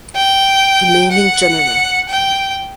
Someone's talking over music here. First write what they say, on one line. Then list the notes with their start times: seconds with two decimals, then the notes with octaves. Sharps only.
Remaining genera.
0.16 G5
1.12 F#5
2.09 G5